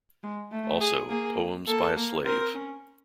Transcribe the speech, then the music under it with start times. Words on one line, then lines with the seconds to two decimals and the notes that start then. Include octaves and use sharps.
Also, Poems by a Slave.
0.23 G#3
0.52 A3
0.81 G#4
1.09 A#3 G#4
1.67 A#3 A4
1.96 A#3
2.25 C4 A#4
2.54 C#4